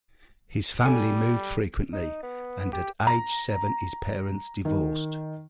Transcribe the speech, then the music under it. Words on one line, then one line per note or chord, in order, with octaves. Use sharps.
His family moved frequently, and at age seven his parents divorced.
G3 A4 G#5
D#4
B3
G4
A#5
D#3